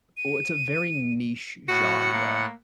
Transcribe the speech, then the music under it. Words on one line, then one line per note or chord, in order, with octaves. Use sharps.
Oh, it's a very niche genre,
D#7
A2 F#4 F#5 C#7
A#3